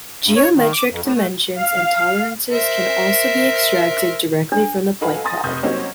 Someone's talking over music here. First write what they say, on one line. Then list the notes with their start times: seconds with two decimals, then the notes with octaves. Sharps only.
Geometric dimensions and tolerances can also be extracted directly from the point cloud.
0.24 G2
0.36 C#5
0.55 D#3
0.73 D6
0.90 F2
1.02 A2
1.15 A3
1.55 F5
2.50 A#4 C5 E5
4.52 D4
5.01 D#4 F#4 A4 B4 F5 G#5
5.24 G#5 A#5 C6 D#6 A6 A#6
5.44 F1 D#6 G6
5.63 F#3 G3 A#3 C4 C#4 D#4